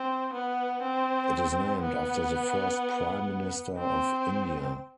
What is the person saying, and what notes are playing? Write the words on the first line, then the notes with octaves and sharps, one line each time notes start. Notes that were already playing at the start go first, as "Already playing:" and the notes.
It is named after the first Prime Minister of India.
Already playing: C4
B3
C4
B3
C4